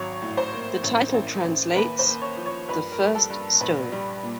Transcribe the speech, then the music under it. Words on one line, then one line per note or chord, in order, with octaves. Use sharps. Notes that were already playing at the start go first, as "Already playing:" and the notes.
The title translates "The first stone".
Already playing: G#1 F#3 C#5
A2
C5
A#3
A1
A1
A1
A#4
D#2 B4
C5
A#3
C#5
F3
C#5
G2 B4
A#4
G3
A4
G2
A#1 B4
G3
A#2